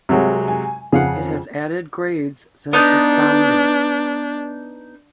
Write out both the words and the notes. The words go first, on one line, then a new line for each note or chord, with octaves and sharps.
It has added grades since its founding.
C2 C3 F#3 G#3
G#5
F2 C#3 G#4 F5 F#5
B3 D4 D#4